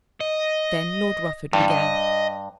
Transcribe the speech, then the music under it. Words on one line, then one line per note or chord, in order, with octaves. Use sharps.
Then Lord Rufford began.
D#5
G2 E3 G3
D#5